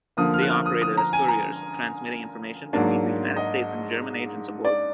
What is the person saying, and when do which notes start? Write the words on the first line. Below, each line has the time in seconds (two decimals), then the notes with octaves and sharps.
They operated as couriers, transmitting information between the United States and German agents aboard.
0.17 D3 F3 A#3 D#6
0.34 F6
0.42 F#6
0.50 F6
0.66 D#6
0.82 D#6
0.97 A#5
1.13 G#5
1.28 A#5
2.73 G#2 F#3 A#3 D4
3.36 D#5
4.65 D5